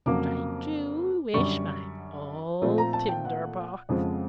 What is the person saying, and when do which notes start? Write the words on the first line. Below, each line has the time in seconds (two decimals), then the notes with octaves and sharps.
But I do wish my old tinder-box.
0.06 F2 C#3 F#3 A#3 D6
1.34 F#2 D3 G3 C#6
2.62 A#2 F3 A3 C4
2.78 A#5
2.93 A5
3.09 G5
3.25 F#5
3.89 F2 C#3 F3 G#3 C4